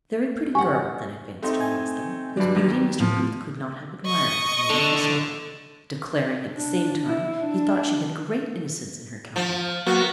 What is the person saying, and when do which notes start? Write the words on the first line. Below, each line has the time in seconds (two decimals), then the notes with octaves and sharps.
A very pretty girl then advanced towards them, whose beauty Mr. Booth could not help admiring the moment he saw her; declaring, at the same time, he thought she had great innocence in her countenance.
0.55 G4 F#5 G#5 C#6
1.42 A3 C4 D#4
1.61 G#5
2.37 G2 F#3 D4
2.56 D#2
3.00 A2 F3
4.06 D#5 C#6
4.70 D3
6.54 D4
7.08 E4
7.42 D4
9.36 F3
9.87 F#3 A#3 B3 F#4